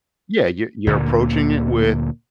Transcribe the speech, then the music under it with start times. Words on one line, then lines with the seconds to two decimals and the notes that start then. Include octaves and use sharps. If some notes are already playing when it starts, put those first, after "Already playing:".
Yeah, you you're approaching it with,
0.87 D2 A#2 D3 A#3